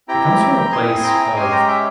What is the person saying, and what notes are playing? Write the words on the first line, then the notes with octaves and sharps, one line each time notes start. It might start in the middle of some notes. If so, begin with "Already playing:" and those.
it comes from a place of
C4 E4 G4 G5 A#5
C4 E4 G#4 G#5 C6
G5 A#5
G#3 C#4 G4 G#5 C6
G5 A#5
E5 G5